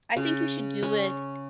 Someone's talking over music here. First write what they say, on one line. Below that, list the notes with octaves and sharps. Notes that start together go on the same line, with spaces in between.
I think you should do it,
C#3
C#4